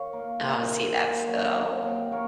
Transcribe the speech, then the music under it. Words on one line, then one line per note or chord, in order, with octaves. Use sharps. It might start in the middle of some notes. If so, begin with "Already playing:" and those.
Oh, see, that's Oh.
Already playing: D#3 C#5 F5
A#3
D#3 C5 D#5
D#3
A#3
F#3
A#3
C3
A#3 A#4 C#5